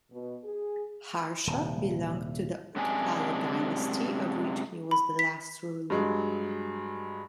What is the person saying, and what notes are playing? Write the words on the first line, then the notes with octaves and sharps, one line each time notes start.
Harsha belonged to the Utpala dynasty, of which he was the last ruler.
B2
G#4
D#1 C3
F#2 C3 G#3 D4 G#5
B5
B6
G2 F#3 G#3